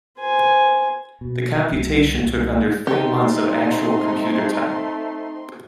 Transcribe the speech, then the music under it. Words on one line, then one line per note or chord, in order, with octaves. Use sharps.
The computation took under three months of actual computer time.
C5 G#5
B2
C2
C2
A3 C4 D#4 G4 C6